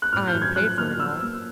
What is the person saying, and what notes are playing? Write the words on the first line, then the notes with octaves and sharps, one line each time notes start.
"I am paid for it all."
F#6
A2 F6
G6
F#3
G#6
F3 F#6
A#3 F6
F3 E6
A#3